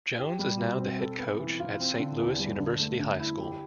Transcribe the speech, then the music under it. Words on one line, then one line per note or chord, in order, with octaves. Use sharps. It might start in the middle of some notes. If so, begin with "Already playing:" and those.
Jones is now the head coach at Saint Louis University High School.
G4
G3
B2
C4
A4
B3
E3
F4
C4
D3
E2
G3
D3
A3
D3
E4
G4